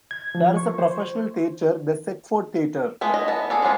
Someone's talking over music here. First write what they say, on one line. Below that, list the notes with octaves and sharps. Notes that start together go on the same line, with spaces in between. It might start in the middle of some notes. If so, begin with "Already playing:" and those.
There is a professional theatre, the Seckford Theatre.
G#6
F3
C#6
C5
G#3 A3 B3 E4
D#5
B3 A5
G#4 A4 D5
F3 F#3 G#3 B3 F4